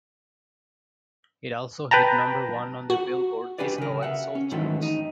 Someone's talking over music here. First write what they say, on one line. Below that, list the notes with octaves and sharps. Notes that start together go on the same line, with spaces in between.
It also hit number one on the "Billboard" Disco and Soul charts.
B4 G5 A5 A#5
F#4
D4 G4 G#4 B4 D5
C#3 A#4
E5 F#5
C#4
G#2 D#3 E3 F#3 A3
D#4